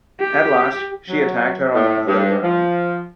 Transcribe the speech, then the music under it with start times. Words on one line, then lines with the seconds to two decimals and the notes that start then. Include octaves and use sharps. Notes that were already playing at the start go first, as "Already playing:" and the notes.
At last she attacked her on another ground.
0.20 G4
1.09 F#3
1.75 A2
2.07 G2
2.42 F3